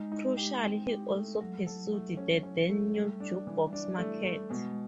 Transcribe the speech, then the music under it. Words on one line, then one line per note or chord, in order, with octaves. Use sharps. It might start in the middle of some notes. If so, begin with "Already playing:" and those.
Crucially, he also pursued the then-new jukebox market.
Already playing: G#3 D#4
D#4
G4
C4
G4
A3
F#3 A3
A4
A3
C#4
C#4
A3
G3 A3
D4
E3
D4
A3
A3
B2 G#3